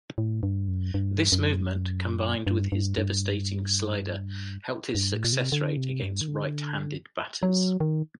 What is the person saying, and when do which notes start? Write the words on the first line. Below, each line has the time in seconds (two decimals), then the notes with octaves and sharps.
This movement, combined with his devastating slider, helped his success rate against right-handed batters.
0.18 A2
0.43 G2
0.68 F#2
0.94 G2
1.32 F#2
2.47 G2
2.72 G2
2.98 G2
4.95 G2
5.14 A2
5.24 A#2
5.33 C3
5.52 D3
5.77 C3
6.03 G2
6.21 D#3
6.28 D3
7.43 F#3
7.80 D#3